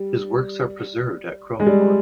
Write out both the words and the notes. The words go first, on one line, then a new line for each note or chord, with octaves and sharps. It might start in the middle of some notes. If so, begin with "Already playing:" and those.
His works are preserved at Kronborg.
Already playing: G3
G#3
G3